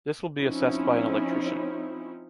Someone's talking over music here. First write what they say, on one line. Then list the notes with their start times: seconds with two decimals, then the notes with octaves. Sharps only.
This will be assessed by an electrician.
0.39 F3 C4 C#4 D#4 E4